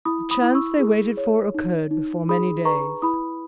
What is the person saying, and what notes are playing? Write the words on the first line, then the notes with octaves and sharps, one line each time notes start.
The chance they waited for occurred before many days.
E4 B5 D#6
B5 D#6
E4
C#6 E6
G#4
C#5
D#4
D#4
G#4 B5 D#6
B4 A#5 C#6
E4 B5 D#6